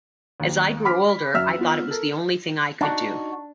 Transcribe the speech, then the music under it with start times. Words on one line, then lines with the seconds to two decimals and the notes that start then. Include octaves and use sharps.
As I grew older, I thought it was the only thing I could do.
0.40 D#2
0.85 B5 D6 F6 B6
1.34 F#2 E5 E6 F6 B6
1.58 B3 F4
1.91 A4 A#4
2.81 D4 D#4 F#4 A5